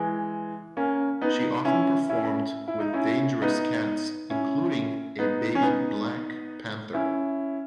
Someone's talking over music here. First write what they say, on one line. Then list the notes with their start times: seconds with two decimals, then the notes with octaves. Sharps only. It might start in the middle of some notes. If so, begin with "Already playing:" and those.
She often performed with dangerous cats, including a baby black panther.
Already playing: E3 G#3
0.77 A#3 C#4
1.21 B3 D#4
1.65 C#4 E4
2.09 C#4 E4
2.68 E4
2.80 D#4
2.93 C#4 E4
3.42 B3 D#4
4.30 C#4 E4
5.19 B3 D#4
5.55 C#4
5.62 B3 D#4
6.94 C#4 E4